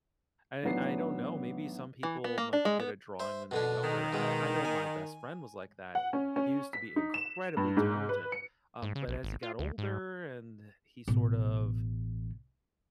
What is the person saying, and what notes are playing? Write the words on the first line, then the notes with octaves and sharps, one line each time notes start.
and I don't know, maybe some people might be good at drawing when they're younger, I I know my best friend was like that, he used to be incredibly talented, um, but as he got older and he sort of
A1 D#3 F#3 B3 D4 C7
E3
B3
A#3
D4
G#3
B3
C5 E5
B2 D3 D4
D#3
B2 G#3
G#5
F#5
C#4
C#4
B6
D#4
E7
G2
G#2
B4
C#7
G#2
C#3
A#1
G#1
F4
D2
G#2
A1 B2